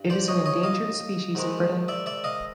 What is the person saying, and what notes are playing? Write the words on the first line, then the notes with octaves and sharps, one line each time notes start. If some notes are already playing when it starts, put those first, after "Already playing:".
It is an endangered species in Britain.
Already playing: G2
C5 D5
C#5 D#5
C#5 D#5
D#5 F5
G#2 D#3 G#3
D5 E5
D5 E5
D#5 F5